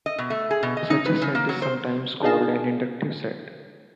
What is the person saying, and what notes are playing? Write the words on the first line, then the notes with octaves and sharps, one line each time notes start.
Such a set is sometimes called an inductive set.
D#5
B2
A3
G#4
B2
D#5
D#4
B4
C#3
A#3
F#3
C5
D4 D#4 G#4 D#5 F5 A5